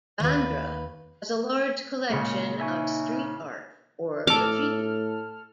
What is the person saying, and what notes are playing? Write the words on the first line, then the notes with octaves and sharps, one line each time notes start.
Bandra has a large collection of street art or graffiti.
D#2 B4
A#2 C#3 G#3 G#4 C#7
D#4 E5 G#5 C#6
A2 A4 D6 F6